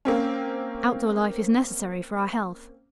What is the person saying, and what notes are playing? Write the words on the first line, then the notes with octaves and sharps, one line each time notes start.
Out-door life is necessary for our health.
A#3 C4 C#4